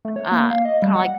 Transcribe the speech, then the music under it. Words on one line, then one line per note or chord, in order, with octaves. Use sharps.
Uh, kinda like
A3
C#5
A#3
F5
D#5
G3
F#5